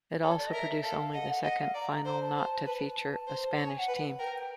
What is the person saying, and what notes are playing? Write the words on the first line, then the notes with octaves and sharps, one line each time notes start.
It also produced only the second final not to feature a Spanish team.
A4 C#5
D5
D#5
A#4 E5
A4 F5
D#5 F#5
F#5
D#5 F#5
F5
D5 A#5
A#5
C5 A#5
A5
C5
B4
A5
C5
C#5 A5
G#5
F#5
B4
A#4 G5
G5